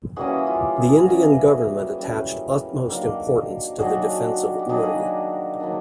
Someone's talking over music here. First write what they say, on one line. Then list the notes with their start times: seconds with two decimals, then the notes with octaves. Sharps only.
The Indian government attached utmost importance to the defence of Uri.
0.16 E3 G3 A#3 C#4 F#4 G#4
0.38 G#4
0.47 F4 G4
0.77 G#4
0.88 A4
1.00 F#4 G#4
1.07 E3 G3 A#3 C#4
1.98 E3 G3 A#3 C#4
2.88 D#3 F#3 A#3 D4
3.78 D#3 F#3 A#3 D4 F#4 G#4
4.59 G4
4.69 D#3 F#3 A#3 D4 F#4 G#4
5.60 D#3 F#3 A#3 D4